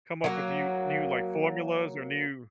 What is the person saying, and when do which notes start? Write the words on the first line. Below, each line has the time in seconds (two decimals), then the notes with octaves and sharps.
come up with you new like formulas or new
0.24 F#3 A#3